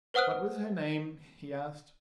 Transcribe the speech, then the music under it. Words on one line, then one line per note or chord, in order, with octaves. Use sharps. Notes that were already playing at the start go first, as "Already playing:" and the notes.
"What was her name?" he asked.
B4 C5 F#5 D#6 F6 F#6